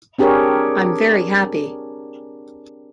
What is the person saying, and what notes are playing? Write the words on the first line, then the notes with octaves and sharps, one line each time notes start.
I'm very happy.
C4 D4 G4 G#4 A#4 C#5